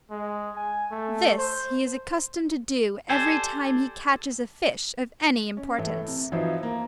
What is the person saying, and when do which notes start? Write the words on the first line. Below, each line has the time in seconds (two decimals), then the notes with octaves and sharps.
This he is accustomed to do every time he catches a fish of any importance.
0.11 G#3
0.56 G#5
0.91 A3
1.38 C5
3.10 G4 A4 C5 D5 G#5
5.57 C#4
5.78 A2 E3 A3
6.08 C3
6.32 E3 F3 D#4 E4 F#4 C5
6.63 A#3